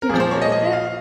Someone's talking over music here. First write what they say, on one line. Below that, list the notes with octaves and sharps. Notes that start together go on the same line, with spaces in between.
Did you build it?
A#4
A#2 F3 G#4
C5
C#5
D#5
D#5
F5